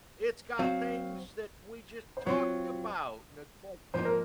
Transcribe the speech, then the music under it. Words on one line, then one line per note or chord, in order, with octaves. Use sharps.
it's got things that we just talked about, and it's like,
F#3 C4 F#4 F5
C5
F#3 C4 F4 C#5
G#2 F3 A#3 D#4 C5
A#4